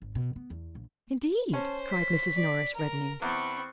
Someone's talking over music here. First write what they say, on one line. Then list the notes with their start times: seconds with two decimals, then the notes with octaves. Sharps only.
"Indeed!" cried Mrs. Norris, reddening.
0.02 G#1
0.15 B2
0.36 B3
0.50 E2
0.75 A#1
1.53 C#4 C5 A5
1.91 B6
2.35 D5
2.75 A#4 A#5
3.22 E2 C4 B5 C#6